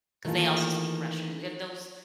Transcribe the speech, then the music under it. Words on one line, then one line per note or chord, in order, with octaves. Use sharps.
'cause they also speak Russian, and those
D#3 E3 A3 A#3 F4 G#4